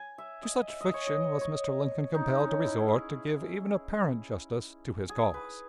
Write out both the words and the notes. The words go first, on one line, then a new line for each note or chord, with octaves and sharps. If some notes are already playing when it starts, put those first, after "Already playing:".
To such fiction was Mr. Lincoln compelled to resort to give even apparent justice to his cause.
Already playing: G#5
E5
D#5
E5
D#5
C#5
D#5
C#5
D#4
C#4
E4
G#4
G#4
B4